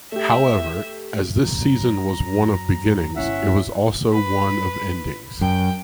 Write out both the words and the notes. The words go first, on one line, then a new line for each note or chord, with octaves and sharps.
However, as this season was one of beginnings, it was also one of endings.
A3 G4 E5
F#2 A#5
G1 C#4 E4 E5 F#5
B4
F#2 G5